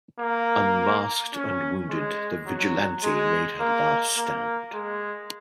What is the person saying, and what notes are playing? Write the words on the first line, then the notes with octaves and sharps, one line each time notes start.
Unmasked and wounded, the vigilante made her last stand.
A#3
C#4
G#3
F#3
G#3
A#3
A#3
G#3